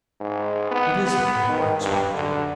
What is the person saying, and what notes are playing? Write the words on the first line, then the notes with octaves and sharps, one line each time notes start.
"What is it?" inquired Spotted Deer.
G#2
B3
B3
D#3
G2
D3